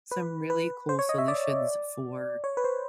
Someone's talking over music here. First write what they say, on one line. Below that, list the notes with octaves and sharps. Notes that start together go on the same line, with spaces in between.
some really cool solutions for
B4
B4
C5
C#5
D#5
E5
D5
C#5
B4
C5